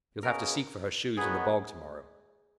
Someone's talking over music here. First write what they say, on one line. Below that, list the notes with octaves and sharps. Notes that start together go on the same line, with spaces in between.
You'll have to seek for her shoes in the bog to-morrow.
B2 A#3 C#4 G#4 A#4
D#3 F#3 B3 D#4 F#4 G#4